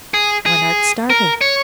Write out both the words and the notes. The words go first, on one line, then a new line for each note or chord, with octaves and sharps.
"When art starting?"
G#4
G#4
A#4
C#5